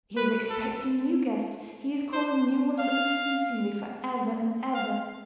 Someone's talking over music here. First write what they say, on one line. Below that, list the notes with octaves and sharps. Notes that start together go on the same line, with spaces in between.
He is expecting new guests, He is calling new ones unceasingly for ever and ever....
B4
A4
C5
F5
F5